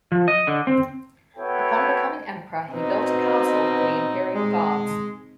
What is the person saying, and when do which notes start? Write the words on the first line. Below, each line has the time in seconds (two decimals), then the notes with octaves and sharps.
Upon becoming emperor, he built a castle for the imperial guards.
0.12 F3
0.28 D#5
0.47 D3
0.67 C4
1.37 B3 E4 F#4 A4 C#5 G5
2.71 B2 C4 D#4
4.34 G#3